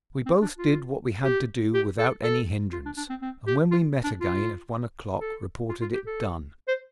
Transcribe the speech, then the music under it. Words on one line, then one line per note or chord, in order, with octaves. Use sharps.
We both did what we had to do without any hindrance, and when we met again at one o'clock reported it done.
C4
D4
F4
G4
G4
A4
A4
F4
D4
D4
C4
C4
G4
F4
D4
F4
A4
F4
F4
G4
A4
C5